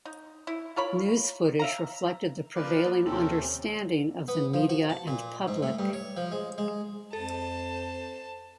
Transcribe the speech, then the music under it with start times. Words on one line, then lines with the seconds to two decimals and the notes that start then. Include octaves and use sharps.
News footage reflected the prevailing understanding of the media and public.
0.05 D#4
0.47 E4
0.76 F4 A#4 C#5 B5
1.59 E5 F5 A#5
2.55 F3 A#3 A#4 B4 D5
3.05 D#2 C3 C4 C#4 G4 A4 A#4
4.28 B3
4.54 F3
4.69 F#4
4.90 A5
5.07 A#2
5.48 G#2
5.62 A2
5.79 G2
5.93 C#5
6.17 F3
6.31 G#3
6.58 G#3
7.13 F2 A4 C5 A5